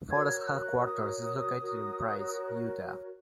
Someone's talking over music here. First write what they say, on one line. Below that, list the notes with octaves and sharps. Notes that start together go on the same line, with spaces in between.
Forest headquarters is located in Price, Utah.
F#4 A#4 C#5 G#6
F#6
D#6
F#4 A#4 C#5